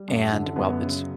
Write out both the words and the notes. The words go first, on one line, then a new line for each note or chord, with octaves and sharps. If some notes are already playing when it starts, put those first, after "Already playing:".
And, well, it's
Already playing: G3
F#2
D3
F#2 B3
C#3